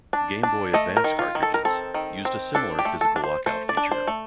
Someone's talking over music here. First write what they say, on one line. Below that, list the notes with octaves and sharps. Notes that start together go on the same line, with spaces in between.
Game Boy Advance cartridges used a similar physical lock-out feature.
D4
D4
A3 D#5
A#4
D#3
F4
D#3
A4
A#4
C4 A4
D#3
C4
D4 A4
G4
A3
A4
D4
C5
A3 C5
D5
D4
C5
A3